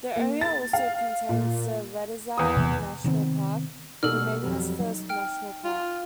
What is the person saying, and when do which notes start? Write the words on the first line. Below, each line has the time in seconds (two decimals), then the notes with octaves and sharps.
The area also contains the Retezat National Park, Romania's first national park.
0.16 A#3
0.41 A6
0.73 F5
1.29 A#2
2.38 E2 D#6
2.57 C3 E3 B3
3.04 C3 D#3 B3 C4
4.03 B2 G3 A#3 D#4 A4 A#4 D5 F6
4.42 F2 F#3 G3
4.80 F#3 D#4
5.09 G5 F6
5.65 F4